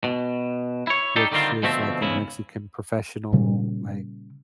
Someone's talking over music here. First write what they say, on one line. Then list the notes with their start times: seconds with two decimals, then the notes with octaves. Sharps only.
which is like a Mexican professional, like,
0.04 B2
0.87 E4 C#5
1.16 D4 D#4 G4 A4
1.32 D3 D#3 G3 C4 F4
1.63 D2 B2 F3 A3 C4 E5
2.01 E2 G#2 C#3 E4
3.33 A#2 C#3 G3